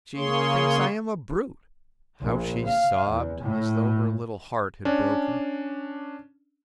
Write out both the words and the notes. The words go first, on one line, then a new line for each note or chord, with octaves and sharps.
She thinks I am a brute--how she sobbed, as though her little heart had broken.
C#3 A#3 G#4 C#5 C6
A#1
F5
E2
A2
C#4 D4